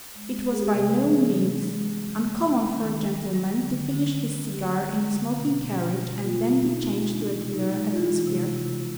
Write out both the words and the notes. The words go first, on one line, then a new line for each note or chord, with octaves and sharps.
It was by no means uncommon for a gentleman to finish his cigar in a smoking carriage and then to change to a clearer atmosphere.
G#3
G#3
G#4
G4
C3
E3 G#4
C3
G#3
G3
A#3
A#3
D#3
G3
G3
D3
D3
G3
D3 G4
G3
D3
B2
B2
G3
A#3 F4
B2
D#4
A#3
E3 D4
C3
D#4
G#3
F4
E3 E4
C3
E4
C3